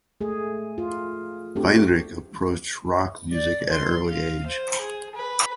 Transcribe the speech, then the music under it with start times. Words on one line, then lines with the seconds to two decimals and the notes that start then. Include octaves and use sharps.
Weinrich approached rock music at early age.
0.21 A3 G#4
0.78 F4
1.56 A3 C4 D4 F#4 G4
3.32 D5
3.71 C6
4.09 F5
4.46 C5
4.79 G#4
5.15 B4